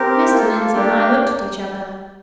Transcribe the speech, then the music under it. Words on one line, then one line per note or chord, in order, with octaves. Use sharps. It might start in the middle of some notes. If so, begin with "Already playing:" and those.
Mr. Lindsey and I looked at each other.
Already playing: C4 G4 A#4
A#3 F4 A4
A#3 D4 G4